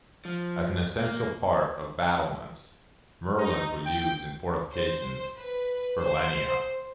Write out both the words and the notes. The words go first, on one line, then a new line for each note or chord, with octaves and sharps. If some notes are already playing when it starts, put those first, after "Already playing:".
As an essential part of battlements, merlons were used in fortifications for millennia.
F3
A#3
D#4
G5
C5
B4
C5